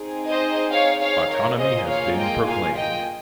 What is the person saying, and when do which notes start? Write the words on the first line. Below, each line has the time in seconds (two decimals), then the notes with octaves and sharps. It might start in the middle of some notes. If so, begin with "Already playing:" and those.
Autonomy has been proclaimed.
Already playing: C4 D#4 G#4
0.27 C5 D#5
0.71 C#5 F5
1.01 C#5 F5
1.29 A#4 C#5
1.58 A#3 F4 G#4 C5 D#5
1.88 C#5 F5
2.17 D#5 G5
2.46 F5 G#5
2.75 D#5 G5